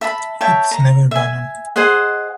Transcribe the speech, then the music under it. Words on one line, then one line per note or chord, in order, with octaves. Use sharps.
It is never banal.
E5 A5 B5
C#5 E5 G5 A5
A#5
E5 G#5
G#4 C5 D#5 F#5